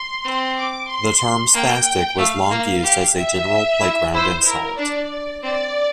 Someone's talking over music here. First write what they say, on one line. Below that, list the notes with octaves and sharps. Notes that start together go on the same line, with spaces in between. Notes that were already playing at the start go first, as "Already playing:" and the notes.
The term "spastic" was long used as a general playground insult.
Already playing: C6
C4
D6
C6
A#3 G5
A3 F5
A#3
G4
E5
E4
E4 C5
E4 A#4
D4 D5
C4 D5